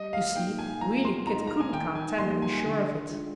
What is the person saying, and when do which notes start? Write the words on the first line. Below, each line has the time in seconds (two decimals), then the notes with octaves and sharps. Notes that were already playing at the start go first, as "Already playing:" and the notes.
You see, really Kit couldn't count ten and be sure of it.
Already playing: G3 D#5
0.13 F5
0.35 A#3 D#4 G5
0.59 G#5
0.81 F3 A#5
1.05 C6
1.27 G#3 D#4 A#5
1.47 A#5
1.60 G#5
1.73 D#3 G5
1.95 G#5
2.18 G3 A#3 D#4 C6
2.42 G#5
2.64 D3
3.11 G#3 D4 F4